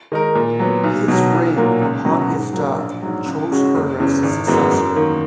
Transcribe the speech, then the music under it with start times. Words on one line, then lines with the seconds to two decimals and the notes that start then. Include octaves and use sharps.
His ring, upon his death, chose her as his successor.
0.12 D#3 G#3 D#4 A#4
0.35 A#2
0.59 F#3 B3
0.84 B1
1.08 B2 F#3
1.32 B1
1.56 A#2 F#3 A#3
1.81 C#2
2.05 B2 F#3 C#4
2.30 G#2
2.53 F#3 A#3
2.78 A#1
3.03 G#2 F#3
3.26 C#2
3.51 C#3 G#3 C#4 F#4
3.75 F#1
4.00 E2 C#3 E3
4.23 G#1
4.47 F#2 E3 G#3 B3
4.72 F#2
4.96 D#3 A#3